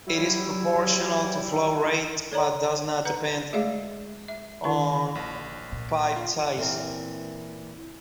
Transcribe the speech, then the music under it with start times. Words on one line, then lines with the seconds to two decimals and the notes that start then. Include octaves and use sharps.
It is proportional to flow rate, but does not depend on pipe size.
0.07 F#3 G3 E4
2.31 A4 C#5 D5 A#5
3.05 B4 F#5 A#5
3.53 G#3 A3 G#4 D5 E5 F5
4.28 E5
4.64 D#3 E4 C#6
5.15 A#1
5.72 A#2
6.16 F4
6.57 A#2 E3 C4 A#4